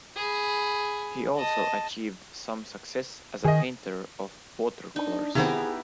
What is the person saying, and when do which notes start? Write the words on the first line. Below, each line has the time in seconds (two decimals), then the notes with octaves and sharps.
He also achieved some success as a painter of watercolours.
0.16 G#4 B5
1.37 D#5 A5
3.45 D#3 G#4 D#5
4.96 D4 D#4
5.35 C3 D#3 B3 C4 E4 G4 G#4 A#5